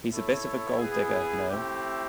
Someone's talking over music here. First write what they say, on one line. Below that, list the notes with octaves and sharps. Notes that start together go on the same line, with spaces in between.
He’s a bit of a gold-digger you know.
E4 A4 C#5
B3 E4 G#4
A3 C4 E4 G4